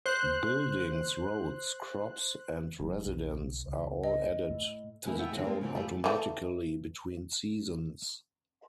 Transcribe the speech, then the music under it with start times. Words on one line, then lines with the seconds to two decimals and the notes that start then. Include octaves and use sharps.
Buildings, roads, crops, and residents are all added to the town automatically between seasons.
0.06 C5 F#6
2.80 F#1 F#3
3.05 B1
3.67 C#2
4.04 D#5
4.50 A2
5.05 E3 A3 A#3 D#4 E4
5.18 E4 F4 E5 F#5 G5
5.31 D3 F#3 G#3 C4 F#4 G#4
5.44 G#3 A#3 C4 F4
5.61 C#3 E3 C4 D4 F#4
5.75 A3 E4 F4 G4 G#4
6.04 E3 A3